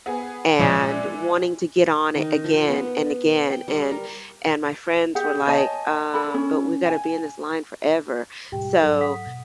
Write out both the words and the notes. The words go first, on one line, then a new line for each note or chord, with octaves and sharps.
and wanting to get on it again and again, and and my friends were, like, "Um, but we gotta be in this line forever," so,
B3 G#4
A#2 E3 F3 G#3 D5
D#3
F3
B3
G5
G3
A#4
G4 G#4 F#5
C#5 D#5 G#5 A5
A4 B5
C#4
G#5
G#2 B2 G3 G4 G5
G#2 F#3 A4
F#5 D#6 B6
B2